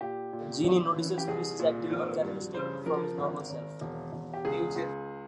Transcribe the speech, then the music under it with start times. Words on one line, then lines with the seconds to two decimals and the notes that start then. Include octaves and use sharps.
Jeannie notices Chris is acting uncharacteristic from his normal self.
0.01 A#2 G4
0.33 A#2
0.64 G#1
0.96 E3
1.18 G4
1.27 C2 G#4
1.59 A#2
1.91 G#1
2.22 G2
2.54 C#3 C5
2.86 F3 A#4
3.18 G#1
3.50 G#1
3.81 E1
4.12 E1
4.34 G4
4.45 C#2 G#4
4.76 C#2